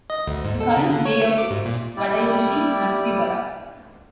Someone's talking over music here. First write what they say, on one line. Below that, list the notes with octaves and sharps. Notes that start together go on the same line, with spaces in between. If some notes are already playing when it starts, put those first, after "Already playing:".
The current mayor is Tadayoshi Matsubara.
D#5
D2
G#2
A4
C#3
D3
C#5
A3
D6
G#2
A#2
G3 E4 G4 D5